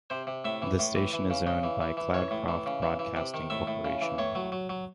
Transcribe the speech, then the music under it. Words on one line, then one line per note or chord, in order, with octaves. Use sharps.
The station is owned by Cloudcroft Broadcasting Corporation.
C3 C5
C3
A2 E5
E3
A2
E3
E3
C#3
C#3 D#5
E3
E3
E3
E3 C#5
A2
E3
C#3
E3
E3
C3
D#3
A2 E5
A2
C#3
E3
A2 C#5
F#3
F#3
F#3